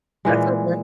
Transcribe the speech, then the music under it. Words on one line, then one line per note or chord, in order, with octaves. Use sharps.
That's okay.
A#2 E3 G#3